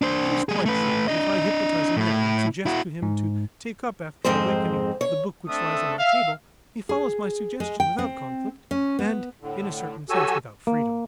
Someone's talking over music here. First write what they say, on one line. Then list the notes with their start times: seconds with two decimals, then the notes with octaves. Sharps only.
It is quite true that if I hypnotize a man and suggest to him to take up after awaking the book which lies on my table, he follows my suggestion without conflict and in a certain sense without freedom.
0.02 D4 C5
0.49 G3 G#4
0.66 A3 B4
1.08 D4 D#5
1.97 A2 E4
2.66 E4 F#4
3.02 G#2
4.25 F2 G#2 G#3 C4 C5
5.01 C#5
5.48 A3 C4 D4 A4 E5 D#6
5.98 E5 F5
6.89 G#4
7.60 G#3
7.80 G5
7.99 C4
8.71 C#4
8.99 B3
9.40 A2 D3
10.09 F#3 F#4 G4 A4 G#5 E6
10.67 A#3